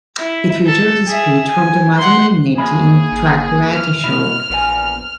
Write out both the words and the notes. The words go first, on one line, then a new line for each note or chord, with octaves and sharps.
It features a speech from Tommaso Marinetti in the track 'Variety Show'.
E4
A4
G#4 E5
G#5
F#5 C6
F3 A#3 G#4 E5 B5
G#1
E3 F6
B2 A#3 E4
A#1 E2 B3 G#5